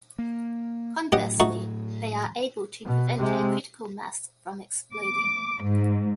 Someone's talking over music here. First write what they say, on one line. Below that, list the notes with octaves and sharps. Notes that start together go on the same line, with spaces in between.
Conversely, they are able to prevent a critical mass from exploding.
A#3
A2 F#3 G4 D#5 F#5
A3 D#4 F#4
B2
C3 G#3
D6
G#2